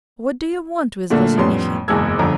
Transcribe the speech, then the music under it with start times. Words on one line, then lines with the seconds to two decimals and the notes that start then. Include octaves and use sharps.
What do you want with Razumihin?
1.10 A#2 D3 A3 A#3
1.38 F2 A2 G3 B3 C#4 C6
1.88 F#1 E2 G#2 A5 E6 G#6
2.19 G1 F2 D3 A#5